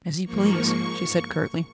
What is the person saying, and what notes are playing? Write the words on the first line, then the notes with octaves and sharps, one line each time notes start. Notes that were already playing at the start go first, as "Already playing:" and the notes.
"As you please," she said curtly.
G#2 F3 A#3 C#6